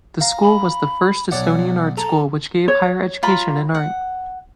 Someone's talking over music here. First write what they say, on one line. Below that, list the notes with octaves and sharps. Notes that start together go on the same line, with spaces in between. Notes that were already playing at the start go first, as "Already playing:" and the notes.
The school was the first Estonian art school which gave higher education in art.
F5 A#5
B5
B1 C#5 D5 F#5
A4 A#5
C#5
F4 A#5 B5
F#5